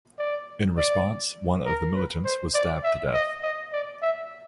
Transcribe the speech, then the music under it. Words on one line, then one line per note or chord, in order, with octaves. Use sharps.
In response one of the militants was stabbed to death.
D5
D5
A#4
B4
C5
D5
E5
D#5
D#5
D5
E5